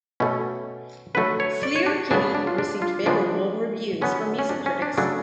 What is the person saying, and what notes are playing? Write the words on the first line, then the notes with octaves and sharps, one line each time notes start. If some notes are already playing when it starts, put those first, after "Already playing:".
"Sleater-Kinney" received favorable reviews from music critics.
B2 A3 C#4
D3 F#3 A3 B4
C#5
D5
C#5
D4
C#3 F#3 B3 D4
D4
F4
D4
F4
C#3 F3 G#3 B3 D4
D3 F#3 B3 C#4
C#4
D4
C#4
D4
C#3 F#3 A3 D4